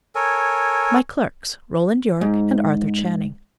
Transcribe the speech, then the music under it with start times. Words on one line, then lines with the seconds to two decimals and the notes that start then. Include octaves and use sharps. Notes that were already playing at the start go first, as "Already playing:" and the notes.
"My clerks--Roland Yorke and Arthur Channing."
0.15 A4 A#4 C#5 G#5
2.21 G#2